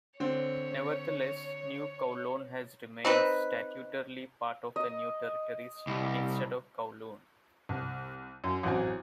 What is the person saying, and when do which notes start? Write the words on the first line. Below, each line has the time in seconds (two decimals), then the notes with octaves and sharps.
Nevertheless, New Kowloon has remained statutorily part of the New Territories instead of Kowloon.
0.20 D3 C4 C#5
3.05 C4 D#4 B4
4.76 D#5
5.87 C2
7.69 C2
8.44 F#2
8.63 A1 E3 F#3 C4 G#5